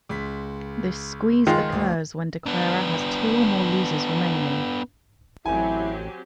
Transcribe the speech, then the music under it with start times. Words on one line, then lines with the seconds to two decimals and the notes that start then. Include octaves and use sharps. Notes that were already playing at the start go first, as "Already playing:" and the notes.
This squeeze occurs when declarer has two or more losers remaining.
0.09 C#2 B6
1.47 D#3 G#3 F4
1.72 D2
2.46 B3 D4
5.46 A1 F#3 C4 E4 G4 G#5